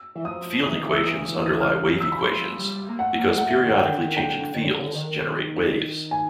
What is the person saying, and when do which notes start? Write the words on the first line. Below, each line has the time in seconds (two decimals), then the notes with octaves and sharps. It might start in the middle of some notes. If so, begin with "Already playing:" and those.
Field equations underlie wave equations, because periodically changing fields generate waves.
Already playing: E6
0.15 E3
0.24 F3 D#6
0.64 E3 D#6
0.75 D#3
0.86 E3
0.93 E6
1.03 D#6
1.42 D#6
1.61 F6
2.00 E6
2.12 E3 B5
2.20 F3 C6
2.59 G3
2.89 A#3
2.98 A3 F#5
3.18 A#3
3.28 G#3
3.38 A3 F#5
3.58 D#3
3.68 F#5
3.77 D#3 G5
3.87 D3
3.97 D#3
4.16 D3 G5
4.55 D#3
4.63 D3
4.80 D3
4.95 D#3
6.11 G#5